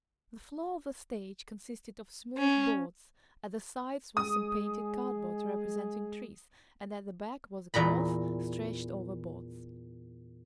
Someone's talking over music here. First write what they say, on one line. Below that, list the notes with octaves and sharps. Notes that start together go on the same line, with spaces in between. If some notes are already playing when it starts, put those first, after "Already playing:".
The floor of the stage consisted of smooth boards, at the sides was some painted cardboard representing trees, and at the back was a cloth stretched over boards.
C#4
G#3 G#4 D#6
E2 A#2 A#5 B5